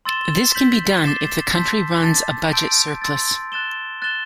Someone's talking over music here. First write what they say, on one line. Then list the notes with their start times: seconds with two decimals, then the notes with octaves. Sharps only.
This can be done if the country runs a budget surplus.
0.05 C6 E6 A6 E7 G7
0.54 G6 B6 F#7
1.04 D6 A6 C7 E7 G7
1.54 A5 C6 E6 G6 B6
2.03 A5 D6 A6
2.53 A5 C6 E6 G6 D7
3.02 C6 E6 A6
3.52 F#6 A6 E7 G7
4.02 F#6 A6 E7 G7